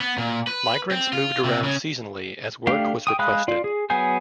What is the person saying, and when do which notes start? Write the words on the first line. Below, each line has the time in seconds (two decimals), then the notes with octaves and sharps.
Migrants moved around seasonally as work was requested.
0.01 B3
0.18 A#2
0.47 B4
0.91 C4
1.13 F4
1.44 C3
1.64 C#3
2.67 A3 D4 G4 F5
3.07 G5 D#6
3.19 G#3 F5 B5 D#6 F#6
3.48 F4 D5
3.64 G#4
3.90 F#3 B3 G#4 G#5 G6